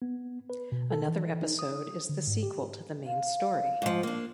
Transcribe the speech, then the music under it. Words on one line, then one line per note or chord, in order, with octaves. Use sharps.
Another episode is the sequel to the main story.
B3
B4
B2
A4
E3
D#4
D#6
D3
G#2
G4
F5
G#2 F3
A#3 D4